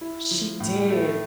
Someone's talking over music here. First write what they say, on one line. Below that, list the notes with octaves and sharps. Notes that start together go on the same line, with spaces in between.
she did,
E4
F3
A2
A3